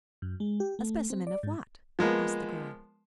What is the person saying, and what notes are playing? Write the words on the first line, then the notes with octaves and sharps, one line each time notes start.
"A specimen of what?" asked the girl.
F#2
G#3
G4
A3
C4
D5
G#2
F3 G#3 A#3 B3